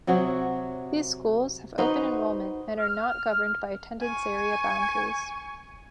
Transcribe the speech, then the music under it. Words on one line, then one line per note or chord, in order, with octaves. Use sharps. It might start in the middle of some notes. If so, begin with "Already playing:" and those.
These schools have open enrollment and are not governed by attendance area boundaries.
C3 F#3 F#4 G#4
D#4 F#4 B4 C5
F6
G#5 C#6